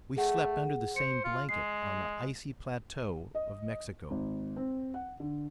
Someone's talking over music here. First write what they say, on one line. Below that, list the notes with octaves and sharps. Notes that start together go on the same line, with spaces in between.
We slept under the same blanket on the icy plateaux of Mexico.
A3 G#4 F#5
C5 C#7
F4
G#3 C7
D#5
G#1
C4
F#5
D3